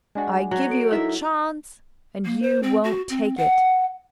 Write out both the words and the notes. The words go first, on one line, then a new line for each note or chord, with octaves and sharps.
I give you a chance, and you won't take it.
G#3 D4 F#4 F#5 G#5
F#3
A4 D7
D#4 E4 A4 A#4 E5
A#3
C5
C4
F#4
C4
F#5